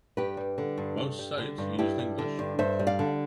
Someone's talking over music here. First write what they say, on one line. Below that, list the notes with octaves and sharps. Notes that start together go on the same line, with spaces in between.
Most sites used English.
G2 G4 B4
G3
D3
G2
G2
G3
D3
G2
G2 E4 G4
G3
D3
G2
G2 C5 E5
G3
D5 F5
D3